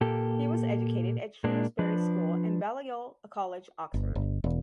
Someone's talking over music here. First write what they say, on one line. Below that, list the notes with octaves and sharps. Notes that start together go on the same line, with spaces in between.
He was educated at Shrewsbury School and Balliol College, Oxford.
A#2 A#3 G4 A4
A#2 G#3 A#3 D4
F3 D4 B4
G1
G1
E1